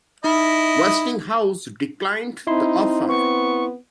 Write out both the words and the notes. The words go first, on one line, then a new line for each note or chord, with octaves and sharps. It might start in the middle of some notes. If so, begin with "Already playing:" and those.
Westinghouse declined the offer.
D#4 E4 D#5
C4 D#4 E4 C6
B3 C#6